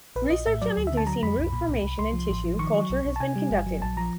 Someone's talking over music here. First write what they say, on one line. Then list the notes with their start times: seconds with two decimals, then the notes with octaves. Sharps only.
Research on inducing root formation in tissue culture has been conducted.
0.16 A#1 B4
0.30 A#1 D#5
0.46 A2 E5
0.62 F#3 D5
0.77 D2
0.87 E5
0.92 D3
0.97 A5
1.07 F#3 A#5
1.23 F2 B5
1.38 B1
1.53 A#2
1.68 C2
1.83 C2
1.99 C2 C6
2.13 F3
2.29 A1
2.44 F3
2.59 D#3 C#6
2.74 F#3
2.90 B1
3.05 B1
3.16 A5
3.20 C3 G#5
3.36 G3
3.51 G1
3.66 F#3
3.82 A#1 A5
3.97 F3 A#5